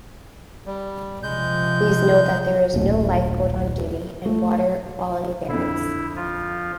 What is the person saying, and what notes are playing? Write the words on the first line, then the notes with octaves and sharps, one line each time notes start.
Please note that there is no lifeguard on duty and water quality varies.
G3
C3 F3 G#3 G6
D#1 B1 A#2 A3
A3
F2 D3 E4
F3 F4